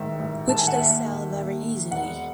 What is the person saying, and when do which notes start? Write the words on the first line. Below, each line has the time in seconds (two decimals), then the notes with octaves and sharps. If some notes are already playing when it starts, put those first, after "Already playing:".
Which they sell very easily.
Already playing: A1 G#2 D#3 E5
0.19 A1
0.47 G#2 D#3 A5
0.58 G#5
0.67 F#5
0.76 D#2 E5
1.05 D#3
1.34 D#2
1.62 D#3
1.91 E1 F#5